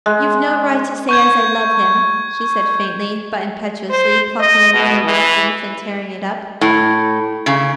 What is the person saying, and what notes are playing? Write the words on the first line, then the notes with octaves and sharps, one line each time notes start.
"You've no right to say as I love him," she said, faintly, but impetuously, plucking another rough leaf and tearing it up.
G#3
C#6 G6 G#6
C5
D#5
B2
E3
A2
C#3